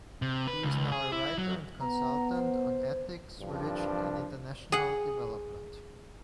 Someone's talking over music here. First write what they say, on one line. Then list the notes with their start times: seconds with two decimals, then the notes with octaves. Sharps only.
He is now a writer and consultant on ethics, religion and international development.
0.22 C3
0.47 B4
0.63 C#2
0.92 G#4
1.12 E4
1.38 F#3
1.80 B3 A#5
2.34 C5
3.40 C2 G2 F3 D4
4.72 G#4 F#5